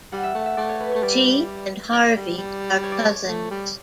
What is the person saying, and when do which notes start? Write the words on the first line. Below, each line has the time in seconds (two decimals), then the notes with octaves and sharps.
She and Harvey are cousins.
0.12 G3 F#5
0.23 E5
0.35 A3 F#5
0.46 E5
0.57 A3 D5
0.69 C#5
0.80 B4
0.91 A3 C#5
1.03 G3 D5
1.93 D5
2.16 G3
2.38 G3
2.83 C#5
2.92 D5
3.00 C#5
3.28 A3
3.51 G3